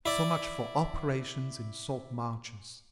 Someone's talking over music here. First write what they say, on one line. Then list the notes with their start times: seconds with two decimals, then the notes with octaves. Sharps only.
So much for operations in salt-marches.
0.06 E4 D5